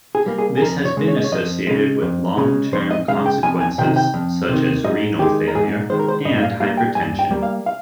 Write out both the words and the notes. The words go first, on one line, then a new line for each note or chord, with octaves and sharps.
This has been associated with long-term consequences such as renal failure and hypertension.
G#4
G3 A#3
G#4
G#4
F2 A#4
C#5
C#3 G#3
C#5
D#5
C#5
F2 D#5
C#3 G#3
F2
C#3 G#3
F2 C5
D#5
C#3 G#3 F5
G5
F2 G#5
G#5
C3 D#3 G5
G5
F2
C3 D#3
G#2 D#5
D#3 G#3 G4
A#4
G#2 G#4
D#3 G#3 C5
A#4
C5
G2 D#5
D#5
F5
G3 A#3 F5
G5
G2 G#5
G5
G3 A#3
F5
F5